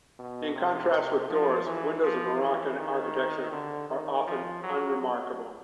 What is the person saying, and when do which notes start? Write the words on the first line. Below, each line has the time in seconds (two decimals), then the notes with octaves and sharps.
In contrast with doors, windows in Moroccan architecture are often unremarkable.
0.19 B2
0.56 C3
1.30 F3
1.66 E3
2.03 F3
2.40 E3
2.79 D#3
3.52 D3
3.89 D#3
4.27 F3
4.63 F#3
5.01 F#3